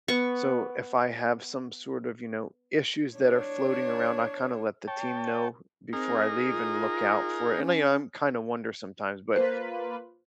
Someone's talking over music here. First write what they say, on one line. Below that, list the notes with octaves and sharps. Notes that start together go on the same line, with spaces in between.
so, if I have some sort of, you know, issues that are floating around, I kinda let the team know before I leave and look out for it, and I you know, I'm kinda wonder sometimes, but
B3 C#6
D4 C#5
C#5 G5 A5
C4 D#4 G#4 A#4
F4
C#4
A#3 F4 B4 C5